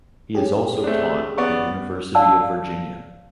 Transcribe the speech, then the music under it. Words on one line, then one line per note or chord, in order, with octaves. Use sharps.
He has also taught at the University of Virginia.
C#4 G4 G#4
A3 C4 D4
B3 D5 C#6
D5 F5 A5 E6